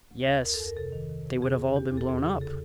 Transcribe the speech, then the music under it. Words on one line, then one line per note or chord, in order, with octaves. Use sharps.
"Yes, they would have all been blown up."
D2
D2
F2 A#4
A4
F2
A#4
C3 A4
D#3
D#3
C3
F2 G#4
C3
E2 G4
E2
A4
E2 G#4
C#3
A4